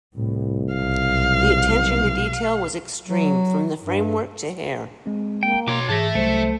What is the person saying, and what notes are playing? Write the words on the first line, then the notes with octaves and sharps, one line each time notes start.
The attention to detail was extreme, from the framework to hair.
C2 A2
B1 F5
F#3
G2
G#3 C4
A#3 G5
B2 F#4 C#5 C6 D6
G#2 E3 G#4 E5 A5 A#6
C2 F#3 A3 C5